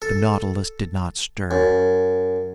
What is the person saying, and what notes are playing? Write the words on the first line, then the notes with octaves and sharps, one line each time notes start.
The Nautilus did not stir.
A4
F#2